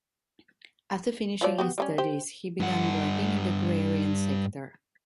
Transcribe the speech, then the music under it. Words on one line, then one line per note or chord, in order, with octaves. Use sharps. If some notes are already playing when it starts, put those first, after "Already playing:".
After finishing his studies, he began working in the agrarian sector.
F3 F#3 D5
B3 F#4 G4
G3 A#3 C#4
G4 C5
G2 F#5